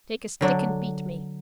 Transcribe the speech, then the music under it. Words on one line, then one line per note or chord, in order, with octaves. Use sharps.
Take a stick and beat me.
D3 F#3 D4